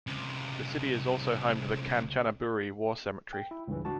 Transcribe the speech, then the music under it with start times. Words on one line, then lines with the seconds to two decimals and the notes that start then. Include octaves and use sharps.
The city is also home to the Kanchanaburi War Cemetery.
0.07 C#2 C3
3.33 G5
3.51 E4
3.68 C#2 G2 E3
3.85 D4 F#4 A5